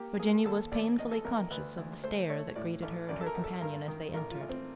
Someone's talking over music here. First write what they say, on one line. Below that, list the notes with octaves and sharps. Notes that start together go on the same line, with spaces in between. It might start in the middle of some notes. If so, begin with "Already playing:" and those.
Virginia was painfully conscious of the stare that greeted her and her companion as they entered.
Already playing: A#3 G4
A#3 G#4
D#2 A4
D#2 D5
E2 D#5
A4
E2 A#4
A#4
D2 B4
D2
A3 C5
A3 C#5
A2 D5
A1
F#2 D5
A4
A#4
F#2
A4
G2 A#4
D#3
A1 A#4
F4
A1
C4